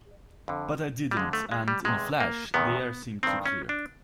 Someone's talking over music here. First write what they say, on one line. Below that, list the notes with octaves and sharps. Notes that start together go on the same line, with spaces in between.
But I didn’t, and, in a flash, the air seemed to clear.
F2 D3
G3
F2 D3 G#3
A3
G#3
G3
E2 C3 D#3 G#3
A#3
E2 C3 D#3 B3
G2 D#3 C4
C#4
D4